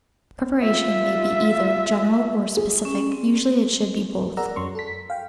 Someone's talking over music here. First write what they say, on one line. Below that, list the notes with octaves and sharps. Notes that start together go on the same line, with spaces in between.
Preparation may be either general or specific; usually it should be both.
F4 E5
G#4
C#4
C4
G#4 A#4 D5 F#5 A#5 E6
F#2 F#3 C#4 C6 C#6
A4 B6
F5 G5